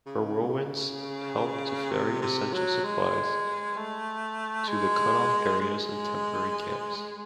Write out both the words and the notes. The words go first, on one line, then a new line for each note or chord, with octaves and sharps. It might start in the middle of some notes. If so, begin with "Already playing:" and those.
Her Whirlwinds helped to ferry essential supplies to the cut-off areas and temporary camps.
C#3
C3
C3
F#3
G#3
A3
G#3
G#3